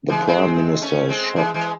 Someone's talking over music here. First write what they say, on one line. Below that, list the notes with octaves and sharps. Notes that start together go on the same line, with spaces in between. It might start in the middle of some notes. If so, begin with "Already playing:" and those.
The Prime Minister is shocked.
E3 G#3
G#3 C4
A3 C#4
G#3 C4
E3 G#3
E3 G#3